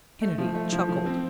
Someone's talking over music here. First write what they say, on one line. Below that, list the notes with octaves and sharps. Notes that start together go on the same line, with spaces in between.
Kennedy chuckled.
A3
F3
A3
F3
F3
C4